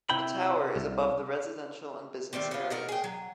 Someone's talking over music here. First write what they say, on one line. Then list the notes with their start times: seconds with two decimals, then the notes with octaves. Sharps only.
The tower is above the residential and business areas.
0.10 C3 E4 G5 B5
0.76 C2
2.33 D#3 G3 A3 C4
2.51 B3 F4
2.70 D#4 F#4 A#4
2.89 G#4 G5
3.04 F#3